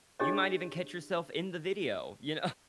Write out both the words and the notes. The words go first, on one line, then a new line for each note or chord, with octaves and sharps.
You might even catch yourself in the video, you
D4 G4 G#4 C#5 D#5